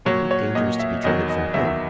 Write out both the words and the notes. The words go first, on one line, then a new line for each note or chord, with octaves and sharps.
"But what danger is to be dreaded from him?"
A#2 F#3 C#5
C#5
A#2 F#3 D#5
E5
E2 D#3 F#3 D#5
D#5
E2 D#3 F#3 E5
E5